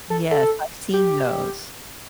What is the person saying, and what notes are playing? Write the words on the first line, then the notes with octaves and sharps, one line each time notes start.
Yes, I've seen those.
A4
A4
G4